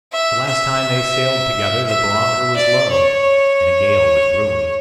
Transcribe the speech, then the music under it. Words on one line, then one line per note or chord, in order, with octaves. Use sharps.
The last time they sailed together the barometer was low, and a gale was brewing.
E5
E5
E5
D5
C#5